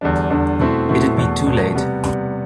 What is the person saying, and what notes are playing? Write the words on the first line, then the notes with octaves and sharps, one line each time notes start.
It'd be too late.
E2 D3 G3 D4
E2 D3 G3 D4
B2 A3 C4 E4
B2 A3 C4 E4
E2 B2 A3
E2 B2 A3
C3 G3 B3
C3 G3 B3